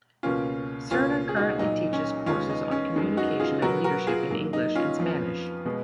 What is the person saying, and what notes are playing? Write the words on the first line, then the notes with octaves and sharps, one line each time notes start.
Serna currently teaches courses on communication and leadership in English and Spanish.
C#2 B2 A#3 C#4 F4
C#2 B2 A#3 C#4 F4
G#4
D#4 F#4
A#2 F#3 A#3 D#4
C#4
D#2 C#3 G#3 B3 C#4 F4
D#4
C#4
F#2 D#3 G#3 B3
D#4 F#4
F4 G#4
B2 F#3 B3 F#4 A#4
F#4 A#4
F4 G#4
G#2 F#3 A#3
D#4
C#4 F4
F2 F3 B3
B2 G#3 B3